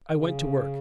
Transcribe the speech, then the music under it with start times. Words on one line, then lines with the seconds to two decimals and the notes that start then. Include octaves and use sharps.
I went to work.
0.12 C#3